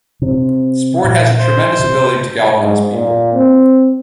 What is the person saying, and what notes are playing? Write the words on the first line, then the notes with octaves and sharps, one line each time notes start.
Sport has a tremendous ability to galvanise people.
C3
A#2
C5
C3
G#2
A#2
C4